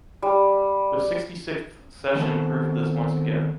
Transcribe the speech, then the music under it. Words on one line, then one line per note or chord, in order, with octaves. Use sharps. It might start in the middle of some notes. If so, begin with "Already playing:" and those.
The sixty-sixth session proved this once again.
G3
D#3 B3 C4 A4